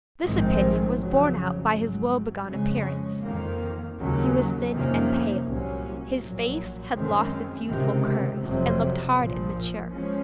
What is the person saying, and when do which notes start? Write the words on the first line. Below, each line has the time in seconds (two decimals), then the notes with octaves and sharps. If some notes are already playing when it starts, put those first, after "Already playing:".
This opinion was borne out by his woebegone appearance. He was thin and pale; his face had lost its youthful curves and looked hard and mature.
0.24 A#1 G#2 D#3 G#3 C4
0.98 F2 C#3 F#3
1.72 G#1 G#2 F#3
2.47 F2 C#3 G#3 C#4
3.21 F2 D#3 A#3
3.96 D#2 C#3 F#3 C#4
4.70 F2 C3 D#3 A#3 C#4
5.45 C2 A#2 F#3 C#4
6.19 A#1 A#2 F#3
6.93 F#2 D#3 G#3 C4
7.67 C#2 C3 D#3
8.42 F1 F2 C3 F#3
9.17 A#1 A#2 F3
9.91 F3 G#3 C#4